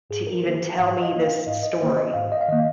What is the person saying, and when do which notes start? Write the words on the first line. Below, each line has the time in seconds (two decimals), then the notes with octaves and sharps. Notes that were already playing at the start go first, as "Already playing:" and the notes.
to even tell me this story,
0.10 G#2 G#4
0.27 A#4
0.44 D#3 A#3 C5
0.78 G#2 F5
1.01 D#5
1.12 D#3 A#3
1.23 F5
1.46 G#2 D#5
1.63 D#5
1.80 D#3 A#3 C5
1.97 D#5
2.14 G#2 F5
2.32 D#5
2.41 F5
2.48 D#3 A#3 D#5